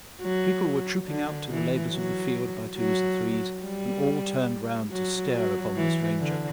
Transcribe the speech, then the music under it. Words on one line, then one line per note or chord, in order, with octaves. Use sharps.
People were trooping out to the labours of the field by twos and threes, and all turned round to stare upon the stranger.
F#3
D3
E3
F#3
F#3
G3
F#3
F#3
E3
D3